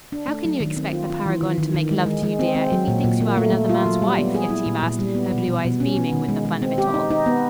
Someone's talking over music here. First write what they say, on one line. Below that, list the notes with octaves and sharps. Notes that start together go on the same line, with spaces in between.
"How can you expect the paragon to make love to you, dear, if he thinks you are another man's wife?" Yetive asked, her blue eyes beaming with the fun of it all.
D4
A3
F#3
D#3
C4
F4
F4
E3
D#3
D#3
D#3
G#3
G#3
G#3
C4
C4
F#3
A#2
A#2
A#3
A3
A3
F4
F#3
G3
B3
G#4
E4
A#2
A#2
G3
B3
B2
B2
B2
C#4
B3
D#3
G#3
G#3
C4
G4
D#4
D#4
B3